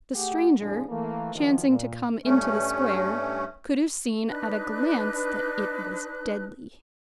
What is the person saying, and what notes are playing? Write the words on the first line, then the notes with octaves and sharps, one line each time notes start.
The stranger, chancing to come into the square, could have seen at a glance that it was deadly.
A3 G4 G#4 F#5
A2 C3 F3 D4 G#4
E3 A3 A#3
D#3 F3 F#3
A#2
G2 A3 C#4
D4 D#4 B4 F#6